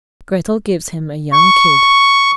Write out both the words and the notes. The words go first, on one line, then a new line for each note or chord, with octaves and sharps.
Grettel gives him a young kid.
C#6